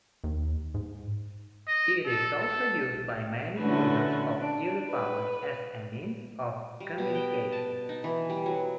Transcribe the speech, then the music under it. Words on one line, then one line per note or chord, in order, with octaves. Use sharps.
It is also used by many users of eRepublik as a means of communication.
D#2
G#2
D#5
A4
A4
D3 A3 C#4 E4 F#4 B4
D4
B4
G3
B2
G5
A5
D#4
E3
G3
F#3